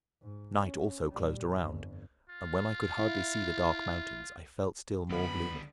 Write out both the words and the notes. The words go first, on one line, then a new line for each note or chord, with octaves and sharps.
Night also closed around; and when I could hardly see the dark mountains, I felt still more gloomily.
G#2
C#4
A#2 G3
G1 F2
F4
E4 F5
F#2 D3 G3 B3 B5